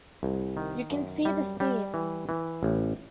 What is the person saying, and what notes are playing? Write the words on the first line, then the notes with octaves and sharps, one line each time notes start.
You can see the steam.
C2
D#3
F#2
G3
G3
E3
E3
A1